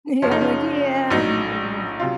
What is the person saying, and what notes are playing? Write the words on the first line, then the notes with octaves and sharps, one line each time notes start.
Yeah, I'm like "Yeah, no,"
F#1 F#2 F3 C#4
D#4
C#4
A#1 A2 F#3 D#4
C3 F#3 F4